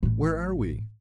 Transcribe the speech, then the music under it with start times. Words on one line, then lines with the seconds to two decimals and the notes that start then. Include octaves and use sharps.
"Where are we?"
0.03 A1 A2